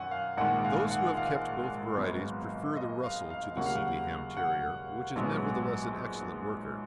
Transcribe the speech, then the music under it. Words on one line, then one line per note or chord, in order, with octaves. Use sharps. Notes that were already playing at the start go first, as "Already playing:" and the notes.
Those who have kept both varieties prefer the Russell to the Sealyham Terrier, which is nevertheless an excellent worker.
Already playing: F#2 D#3 F#5 G#5
F5
A#1 G#2 D#3 A#3 F#5
F5
F#5
F5
G#1 G#2 F#3 B3
D#5
F5
F5
D#2 C#3 F#3 A#3 F#5
F5
F#5
F#5
A#1 G#2 F#3 B3